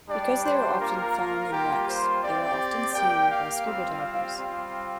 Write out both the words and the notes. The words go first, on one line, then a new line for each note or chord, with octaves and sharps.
Because they are often found in wrecks, they are often seen by scuba divers.
G3 D4 G4 D5
C5
A#3 F4 A#4
G3 A#3 F4 G4
C5
C4 G4 D5
A#3 G4 G5
F5
G3 C4 F4
F5
G3 C4 F4